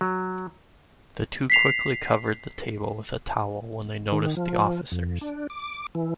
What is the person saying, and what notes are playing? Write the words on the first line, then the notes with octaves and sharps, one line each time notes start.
The two quickly covered the table with a towel when they noticed the officers.
F#3
B6 C7 F7
D#3
F3
F2
D4
D6
E3